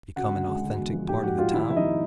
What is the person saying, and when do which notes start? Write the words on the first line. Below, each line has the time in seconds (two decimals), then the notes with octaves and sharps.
Become an authentic part of the town?
0.16 C#3 F#4 F#5
0.32 D2
0.48 G#3
0.62 D2
0.78 E1
0.93 F3
1.08 G#2 G4 G5
1.23 A#1 F#4 F#5
1.39 G3 F4 F5
1.53 D#2 E4 E5
1.70 F1 E5
1.77 D#4 D#5
1.85 G3